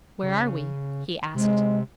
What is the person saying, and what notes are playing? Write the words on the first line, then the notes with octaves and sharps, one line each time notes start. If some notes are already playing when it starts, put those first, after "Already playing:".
'Where are we?' he asked.
C#3
C3 G#3